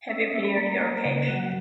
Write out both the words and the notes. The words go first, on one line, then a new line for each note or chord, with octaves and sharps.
Have you cleared your cache?
C#4 E5
D#5
A#3 E5
B5
A#3 A#5
A#3 A#5
C#3
F#3 F#5